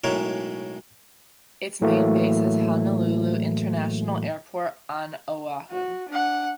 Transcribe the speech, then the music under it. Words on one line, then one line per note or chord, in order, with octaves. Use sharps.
Its main base is Honolulu International Airport on Oahu.
B1 A2 E3 G#3 A#4 C#5
A2 E3 F#3 A3 A#3
F#4
D4 F#5